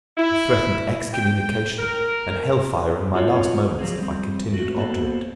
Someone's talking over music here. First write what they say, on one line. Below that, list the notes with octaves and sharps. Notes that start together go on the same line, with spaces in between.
He threatened excommunication and hell fire in my last moments if I continued obdurate.
E4
G5
A#4
C4 F4 F#4 A4 A#4 C#5
F3 F#3 C4 G#4
G3 C4
A3 F#4
A#3 B3 F#4 A4 C5